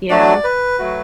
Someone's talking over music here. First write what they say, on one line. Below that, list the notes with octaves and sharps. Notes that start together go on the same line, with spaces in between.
you know,
F#3 A3 D4 F#4 D5
B4
F#3 A3 F#4